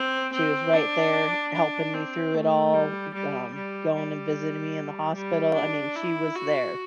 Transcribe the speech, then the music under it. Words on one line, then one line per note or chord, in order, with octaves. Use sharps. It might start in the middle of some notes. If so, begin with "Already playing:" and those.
She was right there helping me through it all, g um, going and visiting me in the hospital, I mean, she was there,
Already playing: C4
C4
D4
D4
C4
A3
G3
G3
G3
G3
G3
D4
E4
F#4